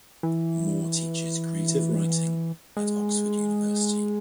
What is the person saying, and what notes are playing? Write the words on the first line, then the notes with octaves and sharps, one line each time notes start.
Moore teaches Creative Writing at Oxford University.
E3
G#3